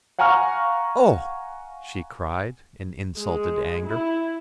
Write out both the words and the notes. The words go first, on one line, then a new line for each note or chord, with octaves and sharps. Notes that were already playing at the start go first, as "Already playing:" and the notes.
"Oh!" she cried, in insulted anger.
F5 F#5 G#5 A#5 C#6 F6
G#3
E4